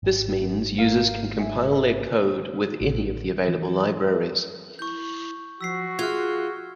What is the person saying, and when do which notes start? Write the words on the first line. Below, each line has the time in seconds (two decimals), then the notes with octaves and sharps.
This means users can compile their code with any of the available libraries.
0.03 G#1
0.78 A#4 F5
1.40 E5 G#5
2.81 A1
3.48 E3
4.79 E4 C#6 G6
5.61 F3 F#4 E6 B6 C7
5.99 F4 G#4 F6 F#6 G#6